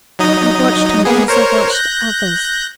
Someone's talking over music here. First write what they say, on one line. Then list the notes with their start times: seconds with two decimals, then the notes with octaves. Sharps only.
I watched him as I watched others.
0.19 F#3 D#4 D#5
1.05 A#3 B3 G#4
1.28 A#4 C5 C#5
1.70 F#6 G6 A#6